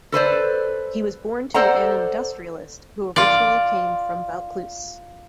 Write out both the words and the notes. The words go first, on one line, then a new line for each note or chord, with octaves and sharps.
He was born to an industrialist who originally came from Vaucluse.
A4 B4 C5 D5
A4 C5 D5 F#5 A#5
F4 D5